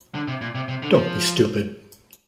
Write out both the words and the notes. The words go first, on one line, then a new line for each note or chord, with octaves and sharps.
Don't be stupid.
D3
C3
A#2
C3
C3
D3
F3